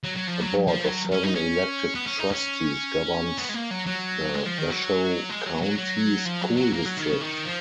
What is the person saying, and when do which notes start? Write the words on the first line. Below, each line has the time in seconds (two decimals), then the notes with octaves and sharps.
A board of seven elected trustees governs the Washoe County School District.
0.03 F#3
0.16 F#3
0.27 F3
0.40 F#3
0.67 F3
0.84 F#3
1.12 C#4
1.23 D#4
1.35 C#4
1.95 B3
2.07 C#4
2.19 D#4
2.31 C#4
3.38 B3
3.49 G#3
3.54 A#3
3.71 F#3
3.86 F#3
4.34 G#3
4.46 F3
4.58 D#3
4.70 F#3
5.30 G#3
5.46 F#3
5.62 F#3
5.78 F#3
6.25 F3
6.42 F#3
6.57 F#3
6.73 A#3
6.85 F#3
6.97 D#3
7.10 C#3
7.21 D#3
7.45 F3